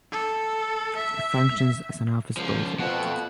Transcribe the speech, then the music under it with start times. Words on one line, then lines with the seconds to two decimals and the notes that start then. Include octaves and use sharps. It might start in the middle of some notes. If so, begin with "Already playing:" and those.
It functions as an office building.
0.12 A4
0.96 E5
2.37 C#2 F3
2.80 F2 B2 F#5